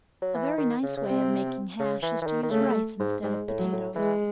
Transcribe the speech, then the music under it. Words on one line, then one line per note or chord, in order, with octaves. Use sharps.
A very nice way of making hash is to use rice instead of potatoes.
F#3
E3
D#3
C#3
C#3
C3 C4
C#3
E3
E3
D#3
D#3
C#3 A3
G#2
G#2 G#3
A2
F#3
A2
E3 G#3